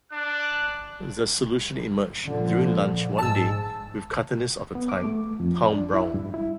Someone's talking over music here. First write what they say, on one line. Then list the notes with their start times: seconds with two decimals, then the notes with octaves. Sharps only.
The solution emerged during lunch one day with cartoonist of the time, Tom Browne.
0.12 D4 F#6
2.24 A#2 D3 F3
3.18 G#2 A5 E6
4.75 B3
4.89 D6
5.04 A3
5.40 F2
5.73 D4
5.94 E4
6.14 G2
6.34 E4